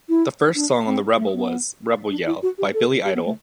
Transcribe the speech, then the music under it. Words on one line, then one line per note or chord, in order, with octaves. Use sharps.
The first song on The Rebel was "Rebel Yell" by Billy Idol.
E4
D4
C4
A3
B3
D4
E4
F#4
G4
A4
G4
B3
A3